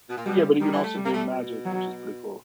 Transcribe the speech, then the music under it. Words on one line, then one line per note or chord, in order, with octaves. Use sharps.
Yeah, but he can also do magic, which is pretty cool.
B2
A#2
B2 G3
C#3
D#3 G3
E3
A3
G3
A#3
A3
B2
F#3